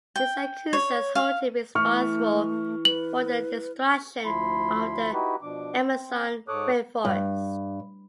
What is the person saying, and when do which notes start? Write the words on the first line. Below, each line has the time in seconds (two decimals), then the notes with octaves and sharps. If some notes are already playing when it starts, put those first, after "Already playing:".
His accusers hold him responsible for the destruction of the Amazon rainforest.
0.16 G5
0.73 C#5
1.15 F5
1.75 E3 A3 C#6 F6
2.85 B4 F#7
4.25 D2 F3 E4 B5 C6
5.13 D#4 E4 F#4 G4 B4
5.42 B2 F3 D4 D6
5.90 C4
6.48 G#2 A4 C#5 D6 D#6 F#6
7.05 G2